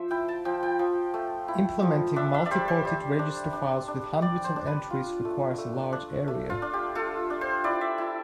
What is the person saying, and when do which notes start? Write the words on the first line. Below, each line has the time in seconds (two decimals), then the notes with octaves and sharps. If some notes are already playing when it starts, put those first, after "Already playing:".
Implementing multiported register files with hundreds of entries requires a large area.
Already playing: F3 C5 E5
0.11 E4 G5
0.28 A5
0.45 F3 G5
0.63 G5
0.79 F3
1.14 A3
1.48 E4
1.82 F3
2.16 D4 E5
2.34 E5
2.45 D5
2.51 G3 C5
2.68 C5
2.85 G3
3.19 D4
3.53 D4
3.88 D4
4.22 G3 D5
4.44 C5
4.56 D4
4.67 B4
4.90 F4
5.25 A3
5.58 A3
5.93 D4
6.28 A3
6.50 F4
6.62 D4
6.73 G4
6.95 F4 A4
7.30 D4
7.41 C5
7.64 E4 D5
7.81 E5
7.98 E4